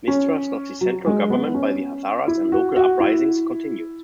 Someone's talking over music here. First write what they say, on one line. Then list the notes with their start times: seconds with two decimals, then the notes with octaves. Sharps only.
Mistrust of the central government by the Hazaras and local uprisings continued.
0.08 C#4
0.81 F#3
1.06 G#3
1.30 B3
1.54 C#4
2.28 E4
2.52 F#4
2.76 F#4
3.00 E4